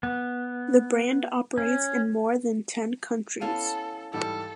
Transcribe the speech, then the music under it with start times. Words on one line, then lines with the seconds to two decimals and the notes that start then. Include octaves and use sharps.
The brand operates in more than ten countries.
0.03 B3
1.58 C#4
3.41 B3 C#4 E4 A4 F5 A5
4.13 G#2 E3 G3 A4 D6